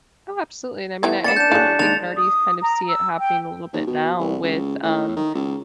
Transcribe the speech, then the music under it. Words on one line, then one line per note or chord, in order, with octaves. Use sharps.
Oh, absolutely, and I mean, I I think you can already kind of see it happening a little bit now with, um,
E3 A3 B3 E4 G#6
A#3 B3 C#4 D5 A6 C#7 E7
D4 G6 E7
A2 F#3 G#4 F5 F#6
D#3 G#3 A#3 A6 F7
D#6
A#5
E6
G5
D#2
B2
C2
C#2
A2
D#3
C#2